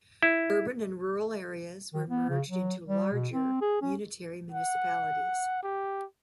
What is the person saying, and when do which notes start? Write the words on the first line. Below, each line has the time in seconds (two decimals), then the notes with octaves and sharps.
Urban and rural areas were merged into larger unitary municipalities.
0.23 E4
1.94 D#3
2.09 B3
2.29 C#3
2.49 F#3
2.88 G3
3.12 B2
3.33 C4
3.61 G#4
3.82 C#4
4.52 F#5
5.63 G4